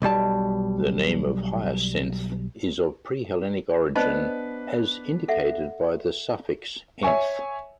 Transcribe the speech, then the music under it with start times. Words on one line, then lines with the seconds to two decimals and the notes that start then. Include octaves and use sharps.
The name of Hyacinth is of pre-Hellenic origin, as indicated by the suffix "-nth".
0.02 B1 B2 G3 A5
3.96 B3 D4 B4 C5 D#5 A5
5.28 A4 E5 F#5
7.03 C#5 E5 G#5 C#6